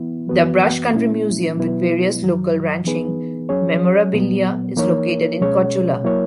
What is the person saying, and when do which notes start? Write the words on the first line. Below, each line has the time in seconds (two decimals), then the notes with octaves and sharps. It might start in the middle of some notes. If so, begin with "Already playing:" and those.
The Brush Country Museum, with various local ranching memorabilia, is located in Cotulla.
Already playing: E3 B3 E4
0.29 F#2 E3 B3 F#4 B4
0.93 A#2 A#3 C#4 E4
1.57 B2 F#3 B3 E4 B4
2.22 F#2 D#3 F#3
2.84 E3 B3 D#4 G#4 B4
3.49 F#3 C#4 G#4 C#5
4.13 A#2 F#3 B3
4.76 E3 A#3 D#4 A#4 C#5
5.41 B2 G#3 C#4 G#4 C#5
6.04 F#3 A#3 E4 A#4 C#5